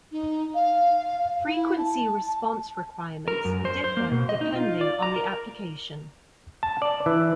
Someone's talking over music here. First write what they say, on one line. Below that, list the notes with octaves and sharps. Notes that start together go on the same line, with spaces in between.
Frequency response requirements differ depending on the application.
D#4
F5
E4
A5
A#4
F#2
C5
C5
A#3
B2
D#5
D#4
F4
D5
A#5
A#4
A5
D5
E3